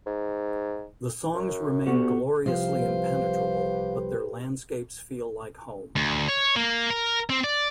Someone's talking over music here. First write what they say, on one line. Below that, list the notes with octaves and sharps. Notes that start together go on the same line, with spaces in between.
The songs remain gloriously impenetrable, but their landscapes feel like home.
G#2
F#2
D2 B3 F#4 G4
C2 F3 G4 B4 C5 F5
D2
C#5
A#3
A#4
C4
D5